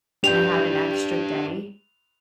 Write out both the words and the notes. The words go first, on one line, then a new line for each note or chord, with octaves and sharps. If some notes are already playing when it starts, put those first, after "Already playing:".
and I had an extra day.
D4 G4 B4 G5 G6 F7